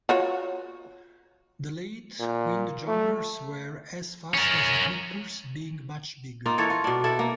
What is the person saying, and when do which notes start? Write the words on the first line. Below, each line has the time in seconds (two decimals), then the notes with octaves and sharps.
The late windjammers were as fast as the clippers, being much bigger.
0.09 F4 F#4 C#5
2.19 A#2
2.87 A3
4.34 C#4 A#4
6.46 A#3 D#4 F4
6.58 E3 A4 C#5
6.70 F4
6.84 B2 D4
7.04 E4 A4
7.19 A#3